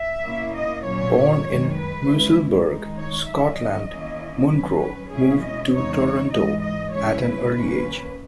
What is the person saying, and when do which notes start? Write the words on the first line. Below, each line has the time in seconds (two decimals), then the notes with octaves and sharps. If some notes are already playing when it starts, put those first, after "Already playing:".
Born in Musselburgh, Scotland, Munro moved to Toronto at an early age.
Already playing: E5
0.23 B2 A#3 C#4 E4
0.55 D#5
0.84 A#2 F#3 C#4 C#5
1.46 F#2 D#3 G#3
1.76 B4
2.06 C#3 G#3 C#4 E4
2.67 D#3 G#3 D#4
2.98 C#5
3.28 D#3 F#3 C#4 E5
3.59 D#5
3.89 D#3 A#3 C#4 E4
4.50 D#3 F#3 C#4 B4
4.81 B4
5.12 B2 G#3 C#4 E4 G#4
5.42 D#5
5.72 E2 C#3 G#3 D#4 C#5
6.33 G#2 E3 G#3 D#5
6.63 D#5
6.94 C#3 G#3 C#4 E4 C#5
7.24 B4
7.55 D#3 A#3 C#4